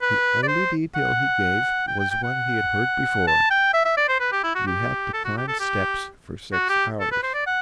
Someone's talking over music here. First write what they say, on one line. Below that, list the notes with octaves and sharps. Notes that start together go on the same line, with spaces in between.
The only detail he gave was one he had heard before, "you had to climb steps for six hours."
B4
D5
C5
F#5
G5
G5
G5
F#5
A5
G5
E5
E5
D5
C5
B4
G4
E4
F#4
G4
A4
F#4
G4
A4
G4
F#4
G4
A4
B4
C5
D5
F#5